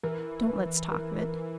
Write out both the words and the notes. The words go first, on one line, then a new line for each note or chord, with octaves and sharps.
Don't let's talk of it.
E3 A#4
B4
A#4
A#4